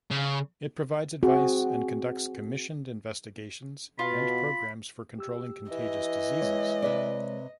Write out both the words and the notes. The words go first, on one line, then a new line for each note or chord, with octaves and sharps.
It provides advice and conducts commissioned investigations and programmes for controlling contagious diseases.
C#3
C4 F#4 G#4
B2 F4 B5
G4 E6
E3 D#5
G#3 C#5
C3 B4 D5